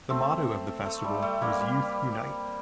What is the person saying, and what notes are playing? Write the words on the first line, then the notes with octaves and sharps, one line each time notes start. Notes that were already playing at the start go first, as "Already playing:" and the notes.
The motto of the festival was: Youth Unite!
A3 C4
A3
G3
A3
G3 A#3
G3